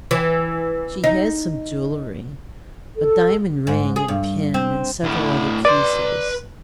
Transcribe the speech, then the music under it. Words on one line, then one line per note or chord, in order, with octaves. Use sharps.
She had some jewelry--a diamond ring and pin and several other pieces.
E3
D#4
A4
G#2
G#4
G2
C4
D2 A2
B4 D5 C6